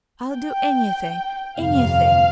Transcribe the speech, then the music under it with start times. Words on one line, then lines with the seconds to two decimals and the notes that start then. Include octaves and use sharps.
I'll do anything--anything!
0.34 G5
1.59 G1 F2 C3 F5